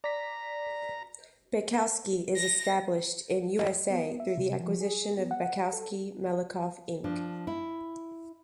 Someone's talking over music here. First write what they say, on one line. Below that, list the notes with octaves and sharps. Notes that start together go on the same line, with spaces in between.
Baikowski is established in USA through the acquisition of Baikowski Malakoff Inc.
D5 A#5 B6
A#6
B3
E5
C3
F3
G#4
B3
F#5
A4
F3 D4
E4